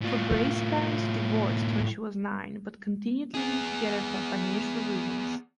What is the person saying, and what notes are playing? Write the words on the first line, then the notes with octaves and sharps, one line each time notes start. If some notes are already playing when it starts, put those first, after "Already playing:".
Fabray's parents divorced when she was nine, but continued living together for financial reasons.
A2 F4
B3 G#4